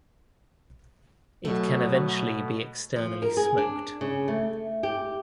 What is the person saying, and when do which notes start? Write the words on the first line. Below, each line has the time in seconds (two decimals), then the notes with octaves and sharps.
It can eventually be externally smoked.
1.45 B2 F#3 A3
2.96 F3
3.22 A#4
3.37 G#4
3.58 D4
4.01 C#3
4.28 A3
4.83 G4